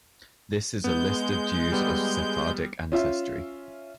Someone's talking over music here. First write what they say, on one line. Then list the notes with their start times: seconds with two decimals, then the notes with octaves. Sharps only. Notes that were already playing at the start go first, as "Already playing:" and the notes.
This is a list of Jews of Sephardic ancestry.
0.84 G#3 B3 G6
1.72 G3 B3
2.92 C#4 F4 E5